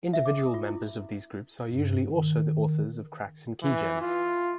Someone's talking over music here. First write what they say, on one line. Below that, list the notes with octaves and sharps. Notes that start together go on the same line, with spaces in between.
Individual members of these groups are usually also the authors of cracks and keygens.
E5
D6
D#6
F4
E4
G2
D#3
E3
F4